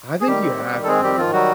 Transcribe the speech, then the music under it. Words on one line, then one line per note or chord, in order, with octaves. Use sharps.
I think you have to,
G#4
D#3 G3 G4
C4
G3
D#3
A4
G#3 C4 G#4
D#3 G3 G4
D#3 F3 F4
F#3 G3 F#4